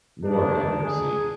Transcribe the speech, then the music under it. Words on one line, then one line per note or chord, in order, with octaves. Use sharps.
Lord, have mercy.
D4 D#4
G#4